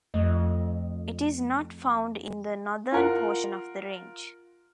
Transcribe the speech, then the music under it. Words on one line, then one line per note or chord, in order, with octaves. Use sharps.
It is not found in the northern portion of the Range.
F2 F3 A3 D#5
F4 A#4 F#5